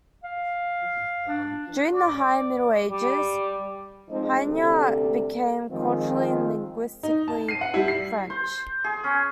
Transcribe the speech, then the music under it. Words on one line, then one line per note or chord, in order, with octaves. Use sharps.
During the High Middle Ages, Hainaut became culturally and linguistically French.
F5
D4
D5
G3
F3 G#3 C4 D#4
D2 C3 G3 A4
D#3 F3 G#3 C4 F4
D#4
A5
C7 D#7
F#5
G3 E4
C7
C5
G#4
C#4